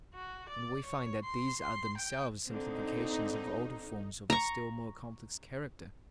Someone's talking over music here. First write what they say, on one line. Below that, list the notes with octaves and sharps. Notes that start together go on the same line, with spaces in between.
And we find that these are themselves simplifications of older forms of a still more complex character.
F#4
D5
C#5
C6
C6
G5
D3 C4 D#4
A#5 C#6